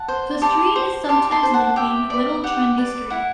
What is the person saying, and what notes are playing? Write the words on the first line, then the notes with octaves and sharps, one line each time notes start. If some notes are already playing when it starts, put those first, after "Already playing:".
The street is sometimes nicknamed Little Trendy Street.
Already playing: F#5 A5
C5
G4 A5 C6
C5
G4 A5 C6
A5 C6
C5
F#5 A5
G4 E5 G5
B4 D5
G4 F#5
B4 D5
E4 F#5